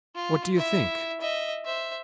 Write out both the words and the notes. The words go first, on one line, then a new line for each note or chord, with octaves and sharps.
What do you think?
F4
E4 E5
D#5 E5
C5 E5